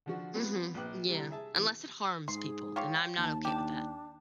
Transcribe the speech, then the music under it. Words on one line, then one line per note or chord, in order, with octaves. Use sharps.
Mhm, yeah, unless it harms people, then I'm not OK with that.
D3 F3 F#4
G3 B3 C4 F4 B4
A#1 B4 G5 D6 F#6
C3 G3 E4 A#5
G#4 E5 A5
C3 E3
G#2 G#4 C6
F4 G4 C#5
D#2 A5
D4 G4 A5